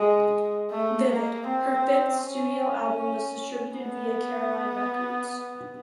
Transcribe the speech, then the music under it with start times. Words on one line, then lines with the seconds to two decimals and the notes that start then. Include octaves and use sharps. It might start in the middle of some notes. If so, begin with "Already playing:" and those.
"Vivid", her fifth studio album was distributed via Caroline Records.
Already playing: G#3
0.71 A3
1.09 A#3
1.47 C4
2.23 C#4
3.76 B3